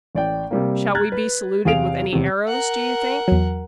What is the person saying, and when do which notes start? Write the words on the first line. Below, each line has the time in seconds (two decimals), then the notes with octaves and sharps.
"Shall we be saluted with any arrows, do you think?"
0.15 A1 D5 G5
0.51 C3 G3 A#3
0.95 A#5 F6 F#6 G#6 A6
1.12 B4
1.65 E2 C3 G#4 F5 D7 F7
2.12 E2 C3
2.48 A#4 F#5
3.28 E2 F#3